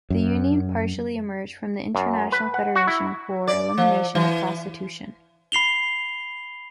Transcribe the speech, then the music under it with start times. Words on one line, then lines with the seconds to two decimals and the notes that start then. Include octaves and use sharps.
The union partially emerged from the International Federation for Elimination of Prostitution.
0.10 F#2
1.95 F#2
2.32 B4
2.54 F#5
2.76 F#4
2.87 E4
3.47 D5
3.78 F3
4.15 E3
5.52 B5 C7 F7 G7